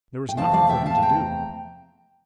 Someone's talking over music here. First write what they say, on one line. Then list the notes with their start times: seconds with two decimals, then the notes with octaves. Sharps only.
There was nothing for him to do.
0.29 G5
0.37 E2 C3 F3 A3 C4 F5 A5
0.53 D5 F5
0.69 E5 G5
0.86 F5 A5
1.02 G5 A#5